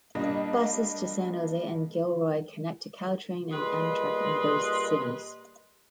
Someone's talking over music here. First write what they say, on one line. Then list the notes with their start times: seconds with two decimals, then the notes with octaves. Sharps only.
Buses to San Jose and Gilroy connect to Caltrain and Amtrak in those cities.
0.15 G3 A#3 D4 D#5
3.51 A#2 G3 G#4 B4 D#5 C6